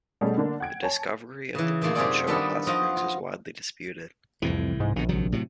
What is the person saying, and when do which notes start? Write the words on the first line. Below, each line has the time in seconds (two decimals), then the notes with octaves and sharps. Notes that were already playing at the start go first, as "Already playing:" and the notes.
The discovery of the Poncha hot springs is widely disputed.
0.21 B2 G3 A3 C#4 G#4 A4
0.38 D3 A#3 D4
0.60 F#5 G5 G#6 D7
0.83 C#5 G#5 A5
1.55 C#3 E3
1.82 A#2 D#3 A3 A#3 G#4
1.95 F#2 C3 F4 G#4 A4 D5
2.27 D#3 G3 B3 D4 A4 D#5
2.67 F3 F4 F#4 D#5 G5
2.97 F4
4.42 C2 F2 A2 E3
4.80 G#2
4.96 A#1 B2 D3
5.09 C2 D#3 F#3
5.32 A2 C3 F#3